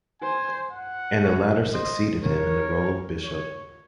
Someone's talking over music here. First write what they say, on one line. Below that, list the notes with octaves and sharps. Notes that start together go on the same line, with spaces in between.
And the latter succeeded him in the role of Bishop.
C5 G#5
F#5
C#5
C5 D#5
A#4 C#5
C#5